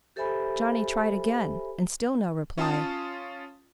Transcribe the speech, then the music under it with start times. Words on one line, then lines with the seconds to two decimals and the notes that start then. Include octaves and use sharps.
Johnny tried again, and still no reply.
0.16 G4 A4 C5 E5 G#5 B5
2.58 C#4 F4 F5 A5 D#6